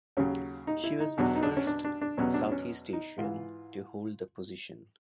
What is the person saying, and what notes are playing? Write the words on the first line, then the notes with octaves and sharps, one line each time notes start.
She was the first Southeast Asian to hold the position.
D#2 C#3 F#3 C#4
D#4
E4
D#4
E2 B2 F#3 D4
D#4
D4
C#4
D4
D4
D4
E2 B2 F#3 C#4
D4
C#4
D#4
G#2 E3 F4